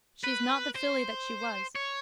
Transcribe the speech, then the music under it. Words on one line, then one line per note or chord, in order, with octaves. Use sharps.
She is not the filly that she was.
B4
C5
C#5